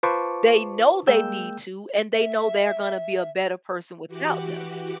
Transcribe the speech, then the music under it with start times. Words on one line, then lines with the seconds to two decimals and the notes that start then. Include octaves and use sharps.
They know they need to, and they know they're gonna be a better person without them.
0.03 F4 B4 C5 A5 C#6 D6
1.07 G#3 A#3 G5 E6 G6
2.13 E5
4.07 E3 F#4 G4 D6 F#6